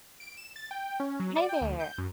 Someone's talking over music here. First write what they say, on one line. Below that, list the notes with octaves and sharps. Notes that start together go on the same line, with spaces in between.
Hey there.
D7
E7
A6
G5
C#4
F#3
D5
G5
D2
G6
F#2